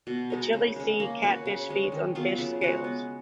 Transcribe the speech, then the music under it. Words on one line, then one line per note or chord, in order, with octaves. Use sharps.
The chili sea catfish feeds on fish scales.
B2
G#3 D#4 A#4
C#3
G#3 C#4
A#3
C#4 F#4 B4
C#3
G#3 C#4
D#3
F#3 B3 F4
C#3
G#3 C#4 F#4
B3